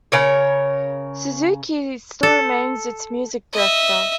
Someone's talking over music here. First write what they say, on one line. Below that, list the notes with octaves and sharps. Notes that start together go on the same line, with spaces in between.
Suzuki still remains its music director.
C#3 A#4 C#5
A4
D#5 E5